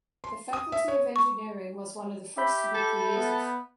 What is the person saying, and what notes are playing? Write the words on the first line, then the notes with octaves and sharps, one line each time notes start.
The Faculty of Engineering was one of the first to be created.
C6
D#6
E5
C#5
C#6
G4 E5 B5 G6
A4
B3